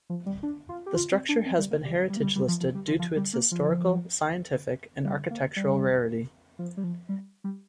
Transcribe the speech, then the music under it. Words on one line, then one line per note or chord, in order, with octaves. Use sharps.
The structure has been heritage listed due to its historical, scientific and architectural rarity.
F3
G3
D4
F4
G4
F4
C4
D4
C4
G3
A#3
G3
G3
A#3
G3
G3
F3
F3
G3
F3
F3
G3
A#3
F3
G3
A#3
G3
F3
G3
F3
G3
G3